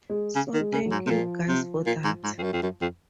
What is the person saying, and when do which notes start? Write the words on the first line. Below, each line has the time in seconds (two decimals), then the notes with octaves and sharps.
So thank you guys for that.
0.10 G#3
0.35 C#3
0.54 D#3
0.60 G#3
0.73 C#3
0.85 F#3
0.91 G#2
1.07 C3
1.10 A#2 F3
1.48 C3
1.86 A#2
2.04 G#2
2.24 G#2
2.38 F2
2.43 F#2
2.53 F2
2.62 F#2
2.81 F2